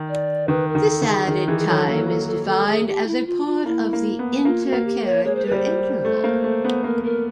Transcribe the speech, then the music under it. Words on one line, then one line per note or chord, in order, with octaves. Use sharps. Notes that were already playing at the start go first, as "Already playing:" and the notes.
This added time is defined as a part of the intercharacter interval.
Already playing: D#3
D5
D#3 B4
A#4
D#3
A4
D#3
G#4
D#3 G#4
E3 G#4
G#4
F#3 A4
A#3 A4
A#3 A4
A4
A4
G#4
G4
E4
F4
F4
A#3 E4
A#3
B3
A#3 F4
F#4
A#3
G4
C#5
G#3 C#5
C5
B4
G3 C5
A3
A#3
A3
B3
A#3 A#4
A#4